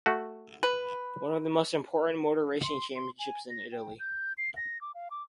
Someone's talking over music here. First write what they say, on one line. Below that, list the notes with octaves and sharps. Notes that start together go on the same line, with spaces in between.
One of the most important motor racing championships in Italy.
A3 F#4
B4
C6
C6
G#5
A#6
G5
G6
C7
A#6
D6
F5
D6